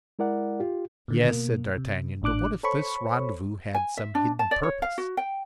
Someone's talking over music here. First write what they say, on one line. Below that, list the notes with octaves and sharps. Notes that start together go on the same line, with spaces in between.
"Yes," said D'Artagnan; "but what if this rendezvous had some hidden purpose?"
G#3 E4 A#4 D5 F#5
F4 G4
A#2 D3 D#3
B2 A#3
C3
G#1 A2 D4 D6 F#6
A4 C5 C#5 B5 C#6
G#5
E5
D4
A5
D5
C#5
F5
F#4
G5